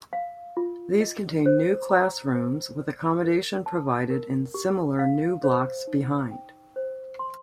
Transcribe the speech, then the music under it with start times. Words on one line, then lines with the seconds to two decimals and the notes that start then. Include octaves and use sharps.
These contained new classrooms, with accommodation provided in similar new blocks behind.
0.13 F5
0.57 F4
1.01 D#5
1.46 C5
1.89 A#5
2.34 C5
2.77 D5
3.22 A#4
3.66 A5
4.10 A#4
4.54 G4
4.99 F5
5.44 C5
5.87 D#4
6.31 G5
6.76 C5
7.19 C6